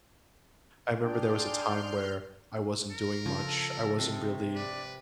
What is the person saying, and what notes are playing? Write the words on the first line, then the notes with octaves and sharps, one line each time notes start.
I remember there was a time where I wasn't doing much, I wasn't really
D4 G#4 D5 G5 C6 F6 G6
A#4
C#3 F3 A4
C3 D#5
B4 D5